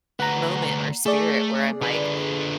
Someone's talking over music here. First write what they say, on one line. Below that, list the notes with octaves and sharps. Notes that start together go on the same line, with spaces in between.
moment, or spirit, where I'm like,
D2 B4 F#5 A#5
A3 G#4 D5
D3 B4